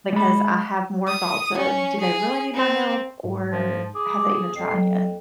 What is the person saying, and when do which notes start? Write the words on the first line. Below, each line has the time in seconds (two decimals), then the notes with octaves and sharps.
because I have more thoughts of, "Do they really need my help, or have they even tried yet?"
0.13 G#3 B5
1.08 D#6
1.57 C#4
2.00 G#4
2.54 C4
3.24 G#2
3.51 F3
3.95 G#4 D6
4.56 F2 C7
4.74 F#3